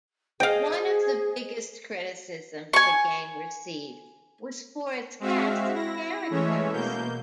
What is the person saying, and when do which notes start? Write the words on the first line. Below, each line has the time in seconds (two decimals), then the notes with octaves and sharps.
One of the biggest criticisms the game received was for its cast of characters.
0.40 G#4 C5 D#5 F5 G5
2.73 G#5 C#6
5.20 G#3 C4 F#4 E5 F5
5.74 E4 A#6
6.30 E3 G#3 A3 C#4 C#5 E5
6.72 B2 A#3 G6